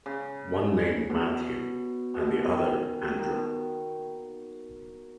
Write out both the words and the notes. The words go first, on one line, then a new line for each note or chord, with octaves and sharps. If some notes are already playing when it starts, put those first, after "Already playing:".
One named Matthew and the other Andrew.
C#3
B2
B2
B2
C#3
D#3
D#3
B2